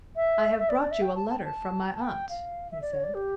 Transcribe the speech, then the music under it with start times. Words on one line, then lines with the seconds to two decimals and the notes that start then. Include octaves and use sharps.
"I have brought you a letter from my aunt," he said.
0.16 E5
0.59 E5
0.69 D5
0.81 D5
0.92 E5
1.02 G5
1.16 A5
1.30 A5
1.39 G5
1.45 A5
1.87 G5
1.95 A5
2.02 G5
2.30 F5
2.71 E5
2.82 D5
2.93 C#5
3.04 D5
3.14 G4